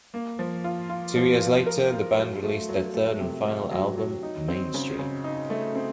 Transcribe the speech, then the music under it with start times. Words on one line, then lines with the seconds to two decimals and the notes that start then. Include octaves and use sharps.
Two years later, the band released their third and final album, "Mainstream".
0.14 A#3
0.39 F3
0.64 F4
0.89 F4
1.15 F3
1.41 F4
1.66 A#4
1.93 F4
2.18 F#3
2.43 A3
2.69 F#3
2.94 A3
3.20 C3
3.45 A3
3.71 F#3
3.98 F#3
4.23 D#4
4.48 C4
4.74 C#3
4.99 C#3
5.24 D#4
5.50 A3
5.75 C4